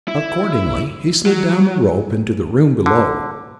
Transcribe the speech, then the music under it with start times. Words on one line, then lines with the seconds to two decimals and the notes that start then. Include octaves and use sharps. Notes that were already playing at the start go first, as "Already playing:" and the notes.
Accordingly he slid down the rope into the room below.
0.08 E4
1.26 F#3
2.86 D3